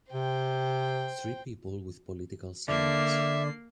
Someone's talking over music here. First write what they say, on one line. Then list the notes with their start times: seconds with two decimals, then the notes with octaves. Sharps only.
Three people with political signs.
0.12 C3 C5 G5
2.68 D3 A#3 D5 E5 C7